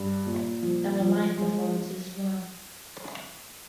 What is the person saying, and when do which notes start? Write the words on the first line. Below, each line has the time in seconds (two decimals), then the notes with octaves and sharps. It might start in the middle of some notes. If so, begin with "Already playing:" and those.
There are live performances as well.
Already playing: G2
0.26 A#2
0.63 F3
1.00 F3
1.38 G#3